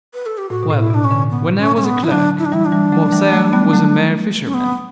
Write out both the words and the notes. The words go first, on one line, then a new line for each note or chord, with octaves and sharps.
"Well, when I was a clerk, Morcerf was a mere fisherman."
B4
A4
G4
A2 F#4
B2
A2
E4
B2 D4
C#4
B2 D3
B3
C#4
C#4
B3
E4
D3 F#3 D4
E4
D4
E3 G3 E4
D4
E3 G3
F#3 A3
E3 G3
F#3 A3
G3 B3
F#3 A3
C#4
B3